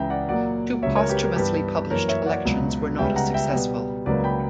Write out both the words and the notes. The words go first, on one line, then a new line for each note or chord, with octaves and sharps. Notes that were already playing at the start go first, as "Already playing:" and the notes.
Two posthumously published collections were not as successful.
Already playing: C#2 C#3 E3 E5 G5 A#5
D5 F#5
A#2 F#3 A#3 D5 F#5
C#2 C#3 F#3 C#5 E5
A#4 C#5
G4 B4
A#4
G2 E3 B3 G4 B4
F#2 E3 A#3 A#4 C#5
C#5 E5
D5 F#5
C#2 B2 F#3
C#2 C#3 G3 B3 E5 G5
F#5 A#5
E5 G5
B2 G3 B3
C#2 C#3 F#3 A#3 B4 D5
G5 B5